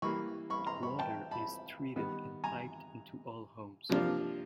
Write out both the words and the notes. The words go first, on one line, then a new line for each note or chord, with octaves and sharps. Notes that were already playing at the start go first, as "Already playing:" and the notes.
Water is treated and piped into all homes.
E3 G3 A#3 B5 C#6
B5 C#6
A#5 C6
B5 C#6
G5 A5
A5 B5
D#3 G3 B3
G#5 A#5
C3 F3 A#3 D4 F4